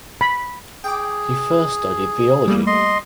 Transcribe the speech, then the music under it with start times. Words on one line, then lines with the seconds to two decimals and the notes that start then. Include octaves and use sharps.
He first studied theology.
0.21 B5
0.84 G#4 G5 D6
2.48 G3 A3 A#3
2.67 D#5 C6